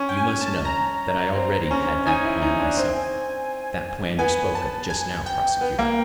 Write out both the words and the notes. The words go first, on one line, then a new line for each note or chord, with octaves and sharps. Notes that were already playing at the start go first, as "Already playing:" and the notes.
You must know that I already had that plan myself, that plan you spoke of, just now, prosecutor!
Already playing: C#4
G5
G#5
A5
A#5
C4
C#4
D#4 G#5
E4
D#4
D4
C4
B3 G#5
A5
G#5
G5
B3
A#3